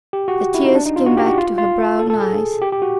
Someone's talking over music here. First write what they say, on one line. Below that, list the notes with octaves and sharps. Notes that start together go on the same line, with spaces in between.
The tears came back to her brown eyes.
G4
F#4
E4
D#4
D4
D#4
F4
F#4
G4
F#4
F4
F4
A4
A4
G#4
G4
G4
F#4